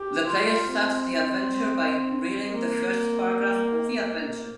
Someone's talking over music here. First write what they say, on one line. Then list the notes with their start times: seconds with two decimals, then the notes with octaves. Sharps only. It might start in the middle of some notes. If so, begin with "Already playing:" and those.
The player starts the adventure by reading the first paragraph of the adventure.
Already playing: G4
0.26 F4
0.71 C4
2.51 A#3